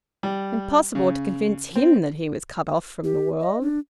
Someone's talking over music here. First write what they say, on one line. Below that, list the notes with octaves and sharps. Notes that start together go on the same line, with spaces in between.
Impossible to convince him that he was cut off from the world!
G3
C#3
C4
G4
D#5
D4